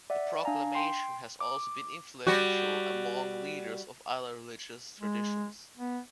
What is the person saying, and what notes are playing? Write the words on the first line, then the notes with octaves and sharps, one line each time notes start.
The Proclamation has also been influential among leaders of other religious traditions.
D5 E5 F#5
D4 F5 G#5 A#5
G5 C6 C7
D6
G3 F#4
G#3
B3